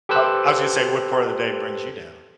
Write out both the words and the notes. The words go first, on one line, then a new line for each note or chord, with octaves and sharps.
I I was gonna say, what part of the day brings you down?
G4 A4 B4 C5 E6 F#6